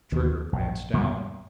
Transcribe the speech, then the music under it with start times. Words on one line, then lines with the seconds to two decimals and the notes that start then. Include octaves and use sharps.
Trigger glanced down.
0.12 D#2 D#3
0.53 A#1
0.93 A#2 G3 B3